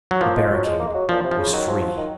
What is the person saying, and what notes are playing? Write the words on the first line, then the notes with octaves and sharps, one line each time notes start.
The barricade was free.
F#3
F3 A#3
G#3
F#3
G#3
A#3
G#3
F#3
A#2 F3
C3
F3
C#3
D#3 F#3
F3
F3
D#3